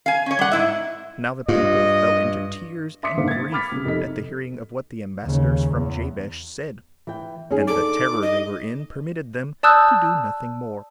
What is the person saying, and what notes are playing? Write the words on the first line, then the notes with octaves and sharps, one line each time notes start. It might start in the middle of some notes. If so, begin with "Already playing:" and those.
Now the people fell into tears and grief at the hearing of what the ambassadors from Jabesh said; and the terror they were in permitted them to do nothing more.
F5 G#5
C#4 C#5
G3 F#5
G#2 E4 E5
G2 F4 D#5
E5 C6 D6 D#6 B6 C#7
F#1 G#2 D3 A#3 C5 F5
G#6 A6
B5 D6 F6 A6 B6
C#2 C3
F2 C3 D#4 A4 D#5 B6
D#2 C#3
E2
E3 G5
C#4 D#4 G#4
D3 A4 D6
D#5
D5 A5 D#6 E6 F#6 G6